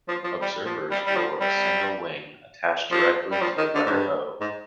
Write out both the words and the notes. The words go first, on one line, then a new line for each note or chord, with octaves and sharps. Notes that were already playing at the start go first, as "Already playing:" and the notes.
Observers wore a single wing attached directly to the letter "O".
F3
F3
G3
F3
G3
G3
F3
G3
F3
G3
F3
D#3
D3
G#2
G2
G#2